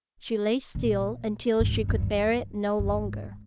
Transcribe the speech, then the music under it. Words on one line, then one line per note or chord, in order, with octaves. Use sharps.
She lay still until she could bear it no longer.
A#2
G#2
G2
G2
G2
G2
G#2